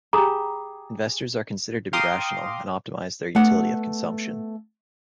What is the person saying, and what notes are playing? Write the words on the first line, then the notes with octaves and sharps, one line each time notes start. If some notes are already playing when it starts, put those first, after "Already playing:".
Investors are considered to be rational and optimize their utility of consumption.
G4 G#4 A#5 B5 D6 D#6
F5 G5 A#5 C6 D6 D#6
A3 B3 F#5